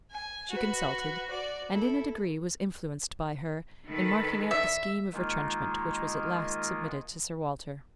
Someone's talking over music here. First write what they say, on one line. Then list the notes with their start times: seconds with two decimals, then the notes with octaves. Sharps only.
She consulted, and in a degree was influenced by her in marking out the scheme of retrenchment which was at last submitted to Sir Walter.
0.11 G#5
0.51 F#4 B4
1.30 F#4 D5
1.72 E4 A4
3.88 D#3 A4 B4
4.51 E5
5.14 D#3 G#3 A#3 D#4 F4